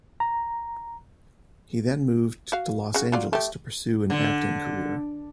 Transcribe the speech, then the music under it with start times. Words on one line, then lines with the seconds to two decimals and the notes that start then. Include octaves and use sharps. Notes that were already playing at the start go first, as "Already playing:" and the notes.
He then moved to Los Angeles to pursue an acting career.
0.20 A#5
2.52 F#4 F5
2.94 C#3 F#4
3.12 F#3 F4 D5
3.33 A3 G4
4.10 D3